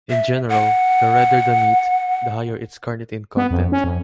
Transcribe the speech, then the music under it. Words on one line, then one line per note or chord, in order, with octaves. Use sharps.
In general, the redder the meat, the higher its carnitine content.
E5
F#5
B3
F2
C#4
F2